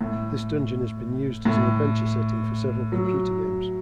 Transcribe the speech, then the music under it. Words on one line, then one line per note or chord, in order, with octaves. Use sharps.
This dungeon has been used as an adventure setting for several computer games.
A2
A2
F#3